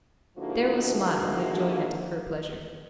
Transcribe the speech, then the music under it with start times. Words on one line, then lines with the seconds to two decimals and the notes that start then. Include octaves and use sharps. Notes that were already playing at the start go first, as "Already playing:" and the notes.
Darrow smiled in enjoyment of her pleasure.
0.38 G#2 D3 F3 A#3 E4 F#4